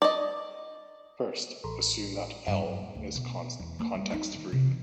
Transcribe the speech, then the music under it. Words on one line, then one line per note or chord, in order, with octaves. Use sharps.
First, assume that "L" is context free.
D5 D#5
A1
G2
F#2
D#1
D2
B2
E2
A#3
G3
D#4
D#3
C3
E3